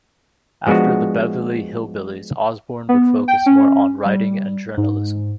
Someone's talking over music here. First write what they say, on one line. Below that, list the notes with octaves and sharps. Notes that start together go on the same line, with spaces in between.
After "The Beverly Hillbillies", Osborne would focus more on writing and journalism.
F3 G#3 B3 D4 F#4
B3
G5
C#4
G3
G#2